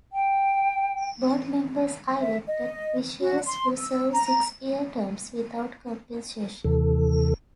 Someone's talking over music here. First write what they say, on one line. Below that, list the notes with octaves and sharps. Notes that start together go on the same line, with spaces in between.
Board members are elected officials who serve six-year terms without compensation.
G5
E5
D#5
F#4
C6
E6
A#5
D#2 C3 E3 A4